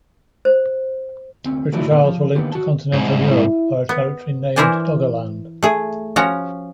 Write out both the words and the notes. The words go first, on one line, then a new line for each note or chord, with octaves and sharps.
British Isles were linked to continental Europe by a territory named Doggerland.
C5
D2 C4 C#4
A3 D#4 E4 F#4 A4 D5
A#2 A#3 B3 D4 A4
F3
D3 D#3 A#3 B3 F4 G4
F#4 A5
C2 G#2
E4
B3
E3 E4 A#4 C5 D5 G#5
A3 G#4
F3 C#4 F#4 A#5